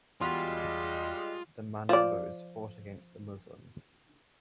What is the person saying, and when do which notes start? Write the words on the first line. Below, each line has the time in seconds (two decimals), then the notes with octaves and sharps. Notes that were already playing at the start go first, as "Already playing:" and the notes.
The Manobos fought against the Muslims.
0.21 E2 G3 G#3 F4 F#4 B5 C6
1.89 F3 D5